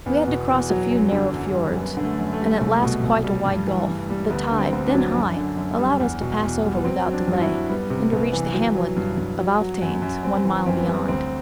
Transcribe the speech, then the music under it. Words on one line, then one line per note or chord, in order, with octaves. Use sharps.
We had to cross a few narrow fiords, and at last quite a wide gulf; the tide, then high, allowed us to pass over without delay, and to reach the hamlet of Alftanes, one mile beyond.
E2 B3
B2
E2
F#3
F#2
D3
F#2
G3
F#2 B3
D3
A3
F#2
A3
G3
C2 A3
B2
C2
G3
G2
E3
G2
G3
D2 B3
D3
C4
D2
D4
F#3
F#2
D3
F#2
G3
E2
B2
E2
G3
B3
F#3 C4
F#3
D4
G2
F#4
E4
G2
G3 B3
C3
C2 B3
E3
F#3
F#3
G2
G2
F#3
F#3
F#2
F#2
F#2 C4
E3
F#2 C4
B3
G3
C4
D2 C4